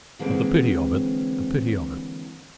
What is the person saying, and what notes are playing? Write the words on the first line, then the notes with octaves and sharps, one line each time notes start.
But the pity of it--the pity of it!
D3 E3 G#3 A#3 C4 C#4